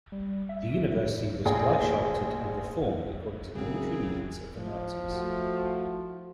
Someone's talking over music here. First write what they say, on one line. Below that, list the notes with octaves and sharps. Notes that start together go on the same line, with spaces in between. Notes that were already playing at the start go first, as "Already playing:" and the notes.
The university was gleichschalted and reformed according to military needs of the Nazis.
G3
E5
G3
F1 A#1 G#4 G5
F#2 C#3 C4 G#4
F3
A3 E4 F#4